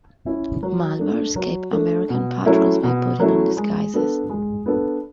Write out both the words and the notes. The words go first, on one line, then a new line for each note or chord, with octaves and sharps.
Malvar escaped American patrols by putting on disguises.
C#4 E4
F#3
A3 D4
F#3
A3 D4
B2
F#3 A3 C#4 E4
B2
F#3 A3 C#4 E4
G#3
B3 D4 A4
G#3
B3 D4 A4